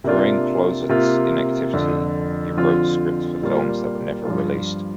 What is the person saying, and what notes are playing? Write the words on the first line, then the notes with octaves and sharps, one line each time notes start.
During Clouzot's inactivity, he wrote scripts for films that were never released.
C3 A#3 D4 F4
C3 A#3 F4
F2 D3 F3
D3 F3 C4 F4
A#2 G3 A#3 F4
G2 F3 D4 F4